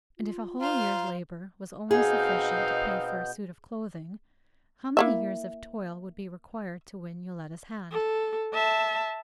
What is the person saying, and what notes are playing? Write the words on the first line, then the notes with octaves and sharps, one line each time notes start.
And if a whole year's labor was only sufficient to pay for a suit of clothing, how many years of toil would be required to win Yoletta's hand?
F4
F4 C5 F5 A#5
B2 B3 C4 D#4 G#4 F5 G6
A#3 E4 E5
A4
E5 A5